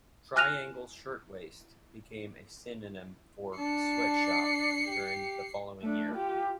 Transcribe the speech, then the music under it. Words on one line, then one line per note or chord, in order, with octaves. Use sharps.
Triangle Shirtwaist became a synonym for "sweatshop" during the following year.
G#5 F6 F#6 A#6 D#7 F7
D4 A5 C7 C#7
G4
A3 D4
F4 G4